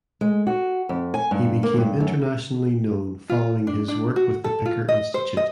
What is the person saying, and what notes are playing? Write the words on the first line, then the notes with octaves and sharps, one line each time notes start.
He became internationally known following his work with the Picker Institute.
G#3
F#4
F2
G#5
G2
A#3
G2
F#2
F4
D4
D4
F#4
A4
F4
D#5
C5
D#5